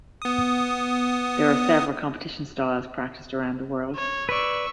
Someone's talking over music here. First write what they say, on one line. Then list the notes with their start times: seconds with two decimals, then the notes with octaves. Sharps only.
There are several competition styles practised around the world.
0.22 B3 D#6
3.96 C#5
4.29 B4 D5 C#6 E6